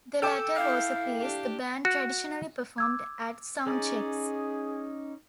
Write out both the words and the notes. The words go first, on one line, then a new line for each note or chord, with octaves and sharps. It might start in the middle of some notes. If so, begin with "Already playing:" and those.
The latter was a piece the band traditionally performed at soundchecks.
A4 G5 D6 E6
E4 F5 F6 G6
D4 G4
F#4
D6 E6 G#6
C#4 D#4 G#4 D5